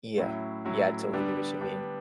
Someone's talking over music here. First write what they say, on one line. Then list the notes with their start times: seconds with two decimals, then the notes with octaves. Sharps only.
Yeah. Yeah, I totally get what you mean.
0.18 A2 F#3 C#4 E4
0.65 A2 F#3 C#4 E4
1.13 D3 G3 B3 D4
1.61 D3 G3 B3 D4